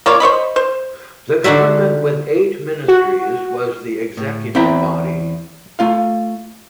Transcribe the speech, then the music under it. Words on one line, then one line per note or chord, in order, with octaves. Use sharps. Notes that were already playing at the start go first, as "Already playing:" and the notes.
The government with eight ministries was the executive body.
A#3 F4 C#5 D5
C5 C#5 D#5 B5
C5
D3 D4 D#4 F#4 E5
F#4
A2
E2 C4 E4 E5 G5 A#5
A3 F4 F5